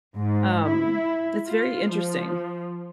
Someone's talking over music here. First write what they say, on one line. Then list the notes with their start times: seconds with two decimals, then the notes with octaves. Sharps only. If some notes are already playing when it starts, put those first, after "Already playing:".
Um, it's very interesting.
0.15 G#2
0.67 E4
1.48 F4
1.92 F3